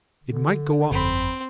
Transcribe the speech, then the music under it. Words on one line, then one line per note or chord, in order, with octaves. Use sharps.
"It might go off!"
D3
G1 F2 C4 B5